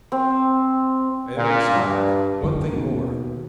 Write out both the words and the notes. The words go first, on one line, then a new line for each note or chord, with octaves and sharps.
And besides--one thing more!
C4
A#2
G2
F#1 D3 D#3 G#3
D#2 B2